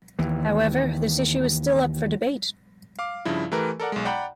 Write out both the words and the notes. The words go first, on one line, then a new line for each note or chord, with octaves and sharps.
However, this issue is still up for debate.
D#2 E3
F5 D6
G2 C#3 F3 E4
E3 A3 G4 A#4 B4
A4 A#4 D5 F#5
B1 G#3
D5 F#5 G5 A#5 B5